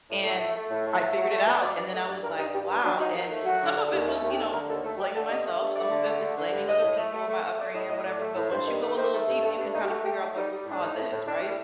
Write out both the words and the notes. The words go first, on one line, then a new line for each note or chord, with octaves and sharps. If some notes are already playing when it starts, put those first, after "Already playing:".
And, I figured it out, and then I was like, "Wow." And, some of it was, you know, blaming myself, some of it was blaming other people and my upbringing or whatever, but once you go a little deep, you can kinda figure out what root cause is, right?
A2
A3
A3
A3
A2
A3
A3
F#3
A3
G2
F#3 D5
G2 D5
A3 D#5
G2 D5
G2 A#4
G2 D#4
G2 G4
G2 A#4
F#3 D4
F#3 D#4
D#2
A3
F#3 F#4
D3
D3
D#2
A3
D#2
G4
D3 A4
D3 A#4
D#2 A4
A3 A4
A3 G4
D3 A4
G2 D#5
A3
G2
A3 D5
D3
A3
D3
D3
G2
A2 D#5
A2
A3
A3
A3
A3
A3 D5
A2 D#5
A2 D#5
A2 D5
A3
A2
G2 C5
D#3
A3
D#3 C5
A3
G2
A3 A4
G2 D4
A3 D#4
G4
A3 F#4
A3 G4
F#3 D#4
G3 D#4
G3
A2
D4
A2 D#4
A2
A2
A2 D4
G3